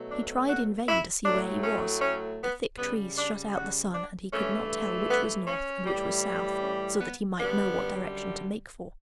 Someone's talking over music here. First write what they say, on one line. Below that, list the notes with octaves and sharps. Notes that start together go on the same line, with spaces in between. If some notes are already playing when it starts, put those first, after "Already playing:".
He tried in vain to see where he was: the thick trees shut out the sun, and he could not tell which was north and which was south, so that he might know what direction to make for.
Already playing: B2 F#3 A3
D4
F#4
E4
A2 F#3 A3 D4
C#4
C#4
B3
C#3 G3 B3
D4
F#4
D4
G2 E3 A3 C#4
B3
C#4
A2 E3 G3
C#4
B3
F#2 D3 G3 B3